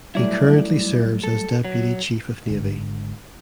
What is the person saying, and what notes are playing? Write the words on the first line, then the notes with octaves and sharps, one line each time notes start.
He currently serves as Deputy Chief of Navy.
F#3 G3 A3 E4 D5
A4
F#3
G#1 G#2 D3